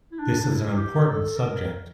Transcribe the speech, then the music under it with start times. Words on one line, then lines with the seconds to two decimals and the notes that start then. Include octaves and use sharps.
This is an important subject.
0.12 E4
0.19 D4
0.39 D4
0.49 E4
0.77 G4
1.07 A4
1.36 A#4